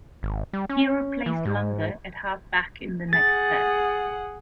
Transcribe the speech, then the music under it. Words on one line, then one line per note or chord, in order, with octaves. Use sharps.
He replaced Langer at halfback in the next test.
G#1
G3
C#4
E3
G#2
G#4 F#5 A6